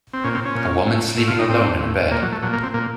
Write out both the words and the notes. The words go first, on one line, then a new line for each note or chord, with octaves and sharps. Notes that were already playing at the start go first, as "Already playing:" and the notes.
A woman sleeping alone in a bed.
C4
A#2 C#4
C4
C#4
A#2
A2
A2
F4
D#4
A2 C4
A2
A#2 A#3
F#3
A3
A#2 F#3
A#3
C4
A#2 A#3